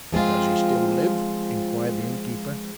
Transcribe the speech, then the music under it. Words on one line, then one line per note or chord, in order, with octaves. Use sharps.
"Does he still live?" inquired the innkeeper.
F3 G#3 C4 F4